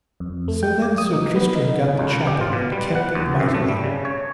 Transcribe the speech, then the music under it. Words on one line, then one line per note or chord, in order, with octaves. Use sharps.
So then Sir Tristram gat the chapel and kept it mightily.
F2
A3
G5
D5
D#6
D#4
B3
D#4
C#2
G4
F4
B2
G3
F#5
D#2
F#2
A3
G3
C#3
C#5